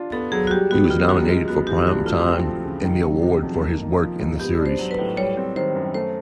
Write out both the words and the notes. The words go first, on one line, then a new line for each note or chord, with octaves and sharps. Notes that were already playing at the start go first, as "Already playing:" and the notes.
He was nominated for Primetime Emmy Award for his work in the series.
Already playing: D4 F4
B3 A4
F#3 G#4
F#4
G3 G4
B3 F#4
D#3 F4
F#2 F#4
G#3 F4
B3 F#4
E3 G4
G2 F#4
A3 F4
C4
F3
C#3
D#3
F#3
C3
F2
A#3
D#4
F3
G#2
B3 G4
D4
C5
F#3
B4
A2
G3 C#5
C4
D#3 C5
F#2
A3 C5